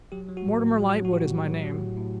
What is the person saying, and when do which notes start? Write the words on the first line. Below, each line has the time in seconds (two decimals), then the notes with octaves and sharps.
'Mortimer Lightwood is my name.
0.12 F#3 G4
0.29 F#3
0.37 F#4
0.46 A2
0.62 A2
0.80 F#3
0.96 F#3
1.05 F#4
1.12 A2 G4
1.30 A2
1.46 F#3
1.63 F#3
1.79 A2
1.97 A2